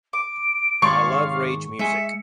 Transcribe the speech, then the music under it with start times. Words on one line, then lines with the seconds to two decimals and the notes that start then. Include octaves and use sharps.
I love rage music.
0.13 D6 D7
0.82 G#2 D#3 G#3 C#5 D5 F5 C6 C#6
1.79 G#3 E5 G#5 C#7